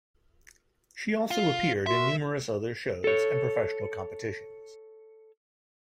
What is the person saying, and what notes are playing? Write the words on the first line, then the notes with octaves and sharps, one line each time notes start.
She also appeared in numerous other shows and professional competitions.
F4
F#4 A#4 E5 C6
A4 C#5